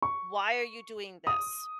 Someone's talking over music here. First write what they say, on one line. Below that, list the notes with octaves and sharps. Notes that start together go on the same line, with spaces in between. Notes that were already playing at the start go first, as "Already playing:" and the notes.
why are you doing this?
C#6
D#6